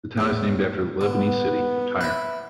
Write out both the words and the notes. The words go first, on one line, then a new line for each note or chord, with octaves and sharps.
The town is named after the Lebanese city of Tyre.
E2 A2
D3 B3
E4 B4